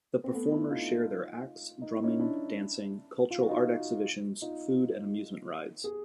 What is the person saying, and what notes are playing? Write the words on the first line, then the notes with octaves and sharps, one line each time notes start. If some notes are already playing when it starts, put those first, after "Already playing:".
The performers share their acts, drumming, dancing, cultural art exhibitions, food and amusement rides.
C4
A3 B3
D4 E4
D#4 F4
D#4
E4
C#4 D#4
D4 E4
F4
F#4
D#4 F4
D#4 F4
G#4